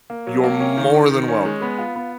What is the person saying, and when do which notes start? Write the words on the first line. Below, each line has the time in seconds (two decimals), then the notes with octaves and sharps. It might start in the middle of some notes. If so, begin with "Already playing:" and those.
You're more than welcome.
0.10 A#3
0.27 F#3
0.44 A#3
0.60 C#4
0.77 D#3
0.94 D#3
1.11 D#3
1.28 C#4
1.45 G#3
1.62 B3
1.79 F4
1.96 B3